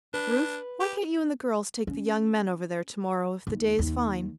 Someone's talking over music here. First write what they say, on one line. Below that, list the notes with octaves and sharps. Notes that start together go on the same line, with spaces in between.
Ruth, why can't you and the girls take the young men over there to-morrow if the day is fine?
D4 B4
G4
C#4
D#2
D#2